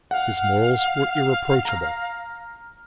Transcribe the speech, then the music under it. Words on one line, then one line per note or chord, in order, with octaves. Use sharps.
His morals were irreproachable.
F5 F#5
A#5 F6